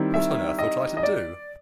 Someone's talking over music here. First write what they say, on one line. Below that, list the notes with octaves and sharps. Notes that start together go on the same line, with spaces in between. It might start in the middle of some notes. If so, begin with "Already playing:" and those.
What on earth ought I to do?
Already playing: D#3 G3 C4 E4
E5
D#5
D#5
D5